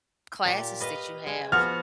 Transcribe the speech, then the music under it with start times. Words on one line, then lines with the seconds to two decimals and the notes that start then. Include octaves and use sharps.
classes that you have."
0.45 A#2 G4
0.80 B4 D#5 F5
1.27 G#3
1.52 F3 B3 F#4 F6